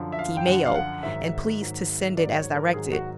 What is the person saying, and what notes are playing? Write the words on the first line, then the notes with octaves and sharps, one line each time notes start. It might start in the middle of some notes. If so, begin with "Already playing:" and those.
C. Mayo, and please to send it as directed.
Already playing: F#2 D3 F3
E5
F5
G5
F#2 D3 F3 F#5
F5
F#5
G#2 D#3 F#3 E5
G#2 D#3 F#3
G#2 D#3 F#3 D5
C#5
A#4
G#2 D#3 F#3 G#4
F#4